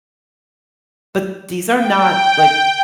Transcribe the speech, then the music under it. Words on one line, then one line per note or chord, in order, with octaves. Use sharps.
but these are not, like"
G5